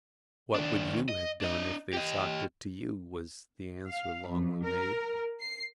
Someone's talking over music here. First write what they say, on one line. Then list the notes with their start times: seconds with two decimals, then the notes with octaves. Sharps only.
"What would you have done if they'd socked it to you?" was the answer Longley made.
0.56 D#2 D4
1.09 D#5
1.41 D4 D#5
1.93 G4 D#5
3.88 F5
4.27 F2
4.63 A#4
5.41 C7